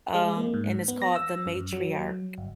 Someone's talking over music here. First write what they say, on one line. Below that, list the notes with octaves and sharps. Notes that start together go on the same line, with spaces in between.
um, and it's called The Matriarch,
G#3
A#3
G#2
B3
A#6
E6
F#2
F#3
G1